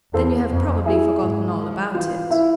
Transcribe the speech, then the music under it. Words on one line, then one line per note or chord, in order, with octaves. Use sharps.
"Then you have probably forgotten all about it."
E2 A4 C5
F2
E4 G#4
G#2
F3
E3 F4
E4